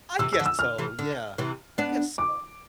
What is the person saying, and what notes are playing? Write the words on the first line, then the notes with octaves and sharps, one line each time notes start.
I guess so. Yeah. I guess so.
C3 E3 E6
E6
D3 F3
E6
F6
C3 E3
D3
C3 E3
B3 D4
D6